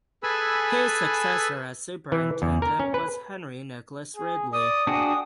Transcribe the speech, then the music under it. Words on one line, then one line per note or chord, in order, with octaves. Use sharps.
His successor as superintendent was Henry Nicholas Ridley.
G#4 A4 B4 G#5 B5 E6
E3
E2
A#4
C#4
B4
G#4
D5 D#6
D4 F#4 G#4 G5